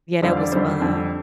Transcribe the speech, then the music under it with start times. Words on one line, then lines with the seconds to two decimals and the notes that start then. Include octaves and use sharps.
yeah, that was fun,
0.22 F2 D3 G3 C4 C5
0.32 F5
0.37 D5
0.52 F2 D3 G3 C4 C5
0.80 F2 D3 G3 C4